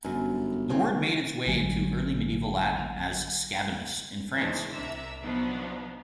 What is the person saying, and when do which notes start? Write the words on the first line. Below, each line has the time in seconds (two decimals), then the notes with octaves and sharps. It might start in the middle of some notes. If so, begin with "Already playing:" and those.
The word made its way into early Medieval Latin as "scabinus" in France.
0.04 G1 F#2
0.70 C2 C#3 C4 C#4
1.47 A1 D3 F#3 A#3 G#5
4.35 D#3 E3 G#3 D4 D#4 C5
4.71 C2 C3 D4 E5 A#5 E6
5.22 C3 F3 F#3 B3 D4 D#4